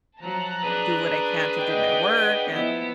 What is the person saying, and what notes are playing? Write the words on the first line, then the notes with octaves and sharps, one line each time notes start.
do what I can to do my work, and,
F3 F#3 A5 A#5 F#6
D4 G#4 B4
D#5 F#5 G5
F3 B3 E4